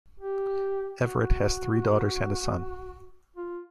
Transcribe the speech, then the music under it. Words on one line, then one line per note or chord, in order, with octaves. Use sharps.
Everitt has three daughters and a son.
G4
F#4
F4